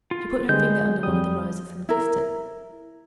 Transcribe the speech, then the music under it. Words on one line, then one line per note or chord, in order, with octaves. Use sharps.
She put her finger under one of the roses and kissed it.
F4
D3 G3 G#3 G6
F2 G3 D#6
E4 A#4